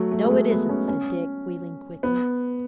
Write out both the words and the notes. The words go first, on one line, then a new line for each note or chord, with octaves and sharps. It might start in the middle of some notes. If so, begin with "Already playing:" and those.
'No, it isn't,' said Dick, wheeling quickly.
Already playing: F#3 A3
A3
G#3
A3
B3
C#4
C#4
B3